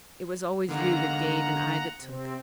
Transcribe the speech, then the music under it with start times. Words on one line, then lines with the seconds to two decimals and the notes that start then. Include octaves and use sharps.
It was always you that gave and I that took.
0.69 D3 A#3 D#4 F#5 A#5
1.99 C3 C4